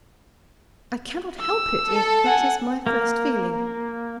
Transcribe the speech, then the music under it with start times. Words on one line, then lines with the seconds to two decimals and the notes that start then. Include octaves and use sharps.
I cannot help it, if that is my first feeling.
1.40 E6
1.90 A4
2.26 F#5 G#5
2.87 A#3